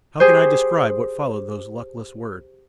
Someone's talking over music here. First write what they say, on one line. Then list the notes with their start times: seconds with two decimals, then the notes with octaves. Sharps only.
How can I describe what followed those luckless words?
0.20 G4 G#4 C5